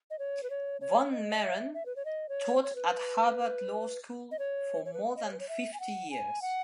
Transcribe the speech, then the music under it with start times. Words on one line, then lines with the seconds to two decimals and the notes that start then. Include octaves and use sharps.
Von Mehren taught at Harvard Law School for more than fifty years.
0.10 D#5
0.19 C#5
0.43 B4
0.50 C#5
0.81 C#5
1.12 D#5
1.43 E5
1.74 E5
1.86 B4
1.96 C#5
2.05 D#5
2.29 C#5
2.64 C#5
2.75 B4
4.31 D#5
4.39 C#5
4.85 C#5
4.93 B4
5.08 B4
5.17 D#5
5.25 C#5
5.32 B4
5.39 C#5
5.49 E5
5.73 G#5
5.80 F#5
6.10 G#5
6.42 F#5